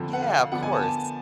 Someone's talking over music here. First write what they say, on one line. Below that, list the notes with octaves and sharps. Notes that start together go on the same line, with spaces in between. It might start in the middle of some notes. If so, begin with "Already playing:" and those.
Yeah, of course.
Already playing: F2 D3 F3
F#5
F5
D3 F3 B3 D4 F#5
G#5
A5
A5